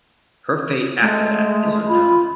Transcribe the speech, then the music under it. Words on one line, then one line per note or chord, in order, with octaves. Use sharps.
Her fate after that is unknown.
G#3 A3
F4 B5